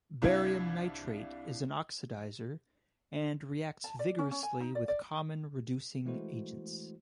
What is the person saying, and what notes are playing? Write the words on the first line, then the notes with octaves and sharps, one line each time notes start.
Barium nitrate is an oxidizer and reacts vigorously with common reducing agents.
C2 D4 E4 F5 G#6
A5
D5
C#4
C#4
G#5
D#4
D5
D5
E3 G#3 A3 E4 F#4 C5